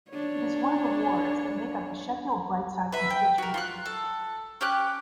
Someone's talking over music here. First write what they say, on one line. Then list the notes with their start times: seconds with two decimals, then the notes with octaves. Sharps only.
It is one of the wards that make up the Sheffield Brightside constituency.
0.11 D4 C#5
2.92 B4 E5
3.10 G5
3.38 F#4 A#4
3.54 F4 C6 F#6
3.86 A4
4.61 C#4 G4 D6 F#6